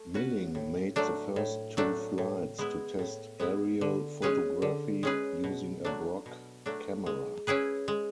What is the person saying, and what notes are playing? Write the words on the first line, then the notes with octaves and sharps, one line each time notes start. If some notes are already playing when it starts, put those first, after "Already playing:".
Milling made the first two flights to test aerial photography using a Brock camera.
Already playing: A3
C#4 F#4 B4
A2
F#3 A3 D4
A2
F#3 A3 D4
A2
G#3 B3 E4
A2
G#3 B3 E4
D3
G#3 C#4 G#4 B4
D3
G#3 C#4 G#4 B4
B2
F#3 A3 D4
B2
F#3 A3 D4
G#3
C#4 E4 G#4 B4
G#3